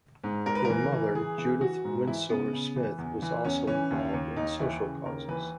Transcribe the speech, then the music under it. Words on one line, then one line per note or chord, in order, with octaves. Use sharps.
Her mother Judith Winsor Smith was also involved in social causes.
G#2
G#2 A#4
B4
E3 A#4
E3
E3 G#4
E3
E3 F#4
G#2
E3 E4
C#3 B3
C#3
E3
E2
E3
E2 C#4
E3 C#4
D#2
D#2
D#2 D#4
E3 E4
C#3
D#2 A#4
E3 B4